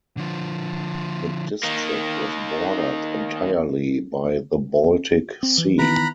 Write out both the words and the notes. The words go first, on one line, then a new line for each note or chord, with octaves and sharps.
The district was bordered entirely by the Baltic Sea.
D3 F3
D#3 A#3
C4
E3
D#3 B3 E4 A#5 B5 F#6